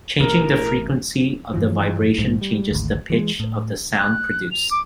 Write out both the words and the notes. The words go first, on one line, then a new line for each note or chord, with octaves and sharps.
Changing the frequency of the vibration changes the pitch of the sound produced.
A1 B2 E3 A#4
G2 E3 F3
A#1 G#2
G3
G#1 D2
E3 F#3 G#3
A2
F#6
F7
D6